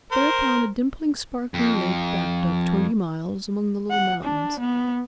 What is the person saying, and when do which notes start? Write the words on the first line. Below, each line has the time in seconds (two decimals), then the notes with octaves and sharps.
Thereupon, a dimpling, sparkling lake backed up twenty miles among the little mountains.
0.12 A#4 C5
1.54 F2
3.91 F#5
4.24 D4
4.60 B3